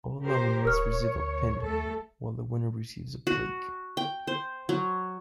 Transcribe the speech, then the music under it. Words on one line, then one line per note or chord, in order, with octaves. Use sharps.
All nominees receive a pin, while the winner receives a plaque.
G4 A#4 C5
D1 A#4 C#5 F6
D2
D#2 A3 A4
F#4
G5
C5
F#3